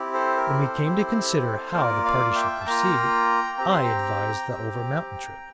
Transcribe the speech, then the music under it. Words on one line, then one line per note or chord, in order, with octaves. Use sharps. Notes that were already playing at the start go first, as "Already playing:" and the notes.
When we came to consider how the party should proceed, I advised the over-mountain trip.
Already playing: C4 E4 G4
A4 C5
A#4
A4 C5
C4 E4 G4
A#3 F4 A#4 D5
D5 F5
E5 G5
A5
A#3 F4 G5 A#5
C4 G4 A#5
C6
G5 A#5
C4 G4